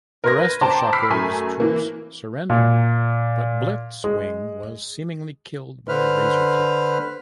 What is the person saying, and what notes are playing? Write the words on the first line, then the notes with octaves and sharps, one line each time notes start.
The rest of Shockwave's troops surrendered, but Blitzwing was seemingly killed by Razorclaw.
A#4 B4 C6 G#6 A#6
B4
C5 G5 A5 A#5 D6
B5 D6 E6 F6 B6 C7
F#2 A3 G#5
E3 A#3
A#2
G#3
D3 B4 C5 F6